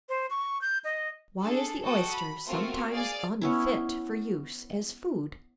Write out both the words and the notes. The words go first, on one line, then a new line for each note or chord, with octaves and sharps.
Why is the Oyster sometimes unfit for use as food?
C5
C#6
G6
D#5
D4 G#4 A4
F#4 A4 G5 D#6
B5
A3 C4 F4 F#4 A#4
G#4 D5 F5 G#5 A6
B3 C#4 E4